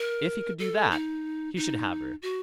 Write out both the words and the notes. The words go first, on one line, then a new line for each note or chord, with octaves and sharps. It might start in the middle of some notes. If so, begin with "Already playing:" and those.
If he could do that, he should have her.
Already playing: A#4
A4
D#4
D#4
F#4